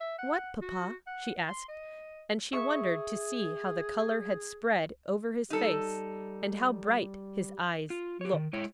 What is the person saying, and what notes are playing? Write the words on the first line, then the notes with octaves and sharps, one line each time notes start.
"What, papa?" she asked, and she wondered to see how the color had spread over his face, and how bright his eyes looked.
E5
F#5
F#4
F#5
C6
D#5
G#4 E5 C#6
G3 D#4 A4
F4
G4 C#5
D#3
G#3 E4 C#5